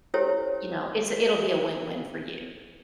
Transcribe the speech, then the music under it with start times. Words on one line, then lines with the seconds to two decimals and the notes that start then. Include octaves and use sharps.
you know, it's it'll be a win-win for you.
0.14 C#4 E4 G4 A4 C5 C#5